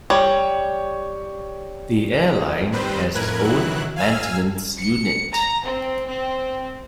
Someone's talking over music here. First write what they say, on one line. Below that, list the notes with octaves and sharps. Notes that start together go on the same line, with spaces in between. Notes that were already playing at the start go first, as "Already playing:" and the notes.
The airline has its own maintenance unit.
G3 C#5
F2
D#3 G3 C4 B4 C5
F2 A2 A#4 B4 F#6 G#6
D#3 E3 F#3 E4 F#6
F5 G#5 E6 F6
C#7
A#5
C4
C4